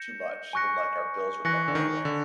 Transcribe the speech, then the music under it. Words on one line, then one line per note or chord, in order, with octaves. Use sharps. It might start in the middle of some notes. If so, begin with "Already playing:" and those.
too much and, like, our bills were minimal anyway,
Already playing: G6 A#6 C#7 E7
G#5 C#6 F#6 A#6 C#7
E3 G#5 C#6 F#6 A#6 C#7
D3
D#3
D3